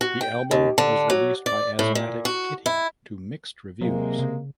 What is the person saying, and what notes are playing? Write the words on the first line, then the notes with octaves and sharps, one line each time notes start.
The album was released by Asthmatic Kitty to mixed reviews.
F#4
G5
D#2
D3
F#3
D5
A2
A#2
F#4
E4
C3 F#3 G#3 A#3
C#3